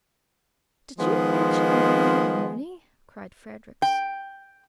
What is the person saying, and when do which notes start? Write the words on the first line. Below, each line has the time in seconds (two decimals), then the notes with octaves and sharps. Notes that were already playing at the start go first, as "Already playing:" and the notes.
"Did you mention a man named Mooney?" cried Fredericks.
0.98 D#3 F3 G#3 B3
3.82 G5